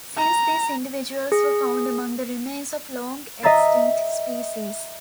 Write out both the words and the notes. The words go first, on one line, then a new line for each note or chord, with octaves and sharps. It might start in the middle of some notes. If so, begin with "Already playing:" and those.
Since these individuals were found among the remains of long-extinct species.
A#5
G#4
D#5 E5 A#5 E6 A6 C7